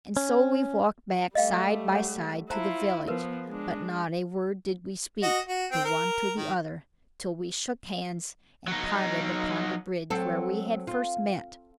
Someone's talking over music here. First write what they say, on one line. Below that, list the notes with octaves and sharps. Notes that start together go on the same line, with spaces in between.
And so we walked back side by side to the village, but not a word did we speak the one to the other, till we shook hands and parted upon the bridge, where we had first met.
C#4
G3 A3 D#5 F5 G5
C#5 F#5
E4 F4 C5 A5 A#5
F3 B3 A#4 B4
G#3 D4
F#4 D#5
F#4
C4 G5
A#4
D#3
F#3 D#4
F#3 C4 A4
F4